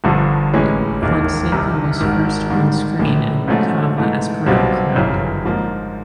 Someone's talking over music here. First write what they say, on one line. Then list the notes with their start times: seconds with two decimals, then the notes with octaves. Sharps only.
Fonseka was first on-screen in "Rekava" as part of a crowd.
0.04 G1 G2 D3 F3
0.53 A1 A2 E3 G#3 C#4
1.02 E1 D#2 D#3
1.52 C2 C3 D#3
2.00 G#1 G#2 D#3
2.50 G#2 D#3 G3
2.99 A#1 A2 E3
3.48 G#2 F3 A3 C#4 F#4
3.98 G#2 E3 A3
4.46 B1 B2 G3 C4 F4
4.95 G1 F#2 C#3 E3
5.45 G#2 F3 A#3